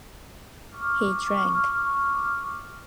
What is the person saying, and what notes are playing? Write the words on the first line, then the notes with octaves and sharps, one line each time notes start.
He drank.
C#6 D6 F6